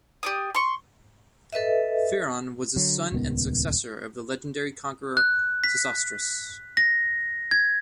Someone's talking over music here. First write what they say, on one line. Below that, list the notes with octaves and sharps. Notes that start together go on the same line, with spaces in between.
Pheron was the son and successor of the legendary conqueror Sesostris.
G4 D5 D#6
C6 C#6
A4 B4 D#5 E5
D3 F#3
D#1 C#2 D#3 B3
F#6
B6
A#6
G#6